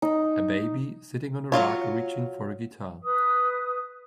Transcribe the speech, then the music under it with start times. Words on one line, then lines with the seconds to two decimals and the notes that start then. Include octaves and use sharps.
A baby sitting on a rug reaching for a guitar.
0.02 D#4
1.52 F#3 D#4 F4 C#5
3.02 B4 D#6